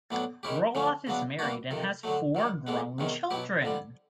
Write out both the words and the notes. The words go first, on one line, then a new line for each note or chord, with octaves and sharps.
Roloff is married and has four grown children.
A2 F#3 B3 D4
D#3 G#3 C#4 E4 G4
D3 F3 A3 C#4
C#3 F#3 B3 D4
E3 G3 A#3 D4 F#4
F2 C3 D#3
D3 F#3 A3
F#2 D#3 G3
A2 E3 G#3 B3
E2 C3 D#3 G#3 C#4
B2 F#3 B3 E4 G4
F2 D3 G3